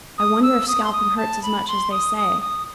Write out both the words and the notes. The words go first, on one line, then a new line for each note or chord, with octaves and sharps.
I wonder if scalping hurts as much as they say.'
D#6
E6
D#6
C6
D#6
A5
B5
C6
D#6
D#6
D#6